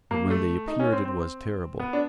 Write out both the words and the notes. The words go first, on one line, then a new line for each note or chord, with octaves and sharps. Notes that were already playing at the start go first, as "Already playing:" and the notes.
But when they appeared it was terrible.
A#3
A3
D#4
C#4
C4
C4
B3
D4